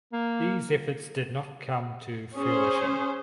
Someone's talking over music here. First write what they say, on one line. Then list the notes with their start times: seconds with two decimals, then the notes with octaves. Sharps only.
These efforts did not come to fruition.
0.12 A#3
2.34 C#4 G#4 C5